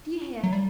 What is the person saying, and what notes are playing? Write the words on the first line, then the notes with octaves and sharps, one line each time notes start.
Do you hear?
F#3
G3